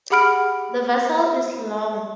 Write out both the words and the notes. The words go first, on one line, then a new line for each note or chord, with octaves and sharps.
The vessel is long.
G4 G#4 F#5 B5 F6 D7